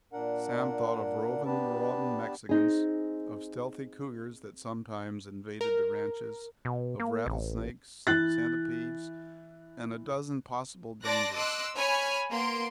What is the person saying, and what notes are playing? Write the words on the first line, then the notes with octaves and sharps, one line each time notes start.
Sam thought of roving, marauding Mexicans, of stealthy cougars that sometimes invaded the ranches, of rattlesnakes, centipedes, and a dozen possible dangers.
A#2 D4 A#4 F#5
B3 D4 G4 B4 A5
C4 D#4 G#4
A#4
B2
A#3
A1
E3 F#6 A6
D5 A5 C6 D6 F#6 A#6
D#5 C6 D6 E6 F#6
C#5 G#5 B5 F6
A#3 B3 C6 D7